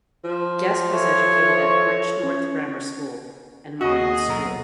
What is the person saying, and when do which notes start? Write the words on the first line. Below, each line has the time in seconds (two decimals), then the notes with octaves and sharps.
Guest was educated at Bridgnorth Grammar School and Monmouth School.
0.24 F3
0.93 A4 C#5 E5
2.23 C#4
3.81 D#2 F#4 G#4 D#5
4.28 B1 A4 A#5